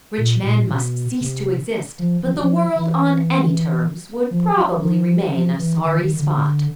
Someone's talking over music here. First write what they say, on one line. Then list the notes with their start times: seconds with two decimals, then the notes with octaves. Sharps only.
Rich men must cease to exist; but the world on any terms would probably remain a sorry spot.
0.18 A#2
0.44 A#2
0.69 B2
1.21 C3
1.99 F3
2.24 F3
2.32 F#3
2.40 F3
2.76 E3
4.31 F3
4.56 F#3
4.82 F3
5.34 F3
5.58 E3
5.85 D#3
6.01 D#3
6.19 D3